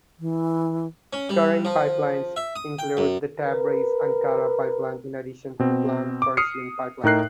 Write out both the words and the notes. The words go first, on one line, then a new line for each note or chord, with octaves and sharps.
Current pipelines include the Tabriz-Ankara pipeline in addition to the planned Persian Pipeline.
E3
C#4
G3
F3
E5
D#6
G5
F#2
A#4 B4
B2 C4
D6
D#6 F6 C7 C#7
A2 D#4 A#4 F#6 C7